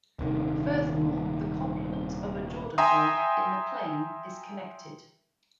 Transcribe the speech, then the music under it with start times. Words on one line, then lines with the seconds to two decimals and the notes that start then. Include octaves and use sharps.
Furthermore, the complement of a Jordan arc in the plane is connected.
0.19 D#1 C3 D#3
2.78 E5 G5 G#5 A#5 C6 D#6